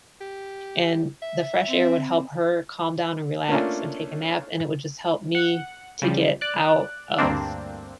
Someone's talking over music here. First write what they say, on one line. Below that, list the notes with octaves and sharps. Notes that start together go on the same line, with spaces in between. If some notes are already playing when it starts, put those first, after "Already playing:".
and the fresh air would help her calm down and relax and take a nap, and it would just help me to get out of
G4
E5
C4
A3 A#3 C#4 D4 F4 A4
F#5
C#3 F3 G3
D5 F#6
D2 G2 A#3 C4 D4